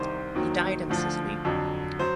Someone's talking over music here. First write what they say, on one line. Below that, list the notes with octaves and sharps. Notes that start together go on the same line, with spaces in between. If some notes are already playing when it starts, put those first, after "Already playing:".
He died in Sicily.
Already playing: C2 C3 D#3 C5
D#2 D#3 F#3
D2 D3 F3
F2 D3 F#3
F#3 C5